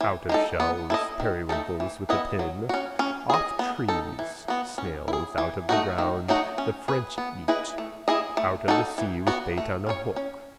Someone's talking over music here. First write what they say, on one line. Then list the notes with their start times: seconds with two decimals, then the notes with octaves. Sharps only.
Out of shells, periwinkles with a pin, off trees, snails out of the ground the French eat, out of the sea with bait on a hook.
0.01 E3
0.29 G#3 D#4 A4
0.60 B3
0.90 E4 A4 D#5
1.20 D#3
1.49 A3 D#4 A4
1.80 E3
2.09 B3 E4 B4 D#5
2.39 F#3
2.69 C#4 F#4
2.99 C#4
3.30 G#4 D#5
3.59 B3
3.88 D#4 A4
4.19 E3
4.48 B3 F#4
4.78 C#4
5.08 E4
5.13 G#4
5.38 E3
5.69 A3 D#4 F#4
5.98 D#3
6.28 F#3 A3 D#4 F#4
6.58 C#4
6.88 G#4 B4
7.18 B3
7.48 E4 G#4 B4 D#5
7.78 A3
8.08 E4 G#4 D#5
8.37 A3
8.68 D#4 F#4 A4
8.98 E3
9.27 B3 F#4
9.58 A3
9.86 C#4 G#4 C#5
10.16 C#4